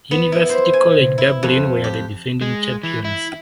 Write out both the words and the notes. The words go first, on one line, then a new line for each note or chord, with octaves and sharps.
University College Dublin were the defending champions.
B3
E4
C5
G#5
E4
F2
G4
G#3
E3
E4